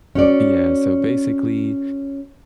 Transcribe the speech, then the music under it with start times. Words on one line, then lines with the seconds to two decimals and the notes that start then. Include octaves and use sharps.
Yeah, so, basically,
0.15 C#4 F#4 D5